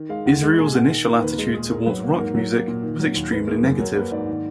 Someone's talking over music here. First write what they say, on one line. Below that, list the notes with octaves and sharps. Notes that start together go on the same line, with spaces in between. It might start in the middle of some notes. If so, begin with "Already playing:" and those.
Israel's initial attitude toward rock music was extremely negative.
Already playing: D#3
G#3 F5
D#2 F#5
G#3
A#2 G#5
A#2 F#5
D#3
A#3
A#4
D#2 B4
A#4
G#3 G#4
A#2 G#4
A#2 A#4
F#3 B4
A#3 A#4
G#2 A#4
F#3
A#3
A#2
D#3
F#3
D#2
D#3 B4
A#3 G#4
F#2 A#4
F#3 A#4
A#3 B4
G#2 D5
D#3